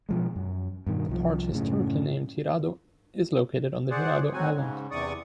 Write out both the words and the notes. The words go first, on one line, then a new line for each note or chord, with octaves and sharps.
The part historically named Hirado is located on the Hirado Island.
B2 F3 G#3
F#2
G2 B2 D#3
C2 F3
F#2 A2 C#3
G#4 C5 D5 F#5
A2 F#3 C4 F#4 G#5
G#2 C#3
E2 C3 D5 C#6 D#6